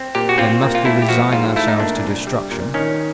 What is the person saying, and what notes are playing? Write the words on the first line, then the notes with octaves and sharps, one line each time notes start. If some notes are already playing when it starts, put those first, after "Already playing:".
"Then must we resign ourselves to destruction?"
Already playing: C4
A#2 G4
F#4
C4 F4
A#2
F4
A3 E4
G4
F3 F#4
G#2 F4
A3 E4
D#4
A#2 D4
C2
G3
A#2
D#3 C#4